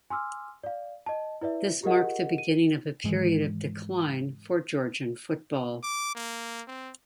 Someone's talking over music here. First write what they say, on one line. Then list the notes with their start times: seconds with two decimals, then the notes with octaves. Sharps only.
This marked the beginning of a period of decline for Georgian football.
0.10 G#5 C6 D6 E6 F6
0.64 D5 F5
1.06 D#5 A5
1.41 E4 B4 D5 E5
1.83 F4 G4 G#4 A#4 D#5 F#5
2.38 D#7
3.04 G#2 D#3 E3 G#3
5.83 D6
6.15 A#3
6.68 C4